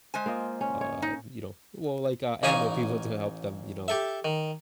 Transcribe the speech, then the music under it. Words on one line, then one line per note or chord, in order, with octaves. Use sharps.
uh, you know well, like, uh, animal people to help them, you know,
G#3 C5 G#5
A#3 F4 D#5
C#4
C#5
D#4
A1 C#4 D#4 F5 G#5 C#6
G4 A4 E5
D#3